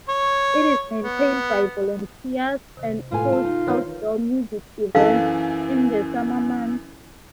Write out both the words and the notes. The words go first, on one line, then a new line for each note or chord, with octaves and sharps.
It is maintained by volunteers and hosts outdoor music events in the summer months.
C#5
B3
C3 D#3
A2 F4 A4 B4 F5 G#5
A5
D#4
D#3 E3 D#4 B4 C#5
F#2 E3 A4 F5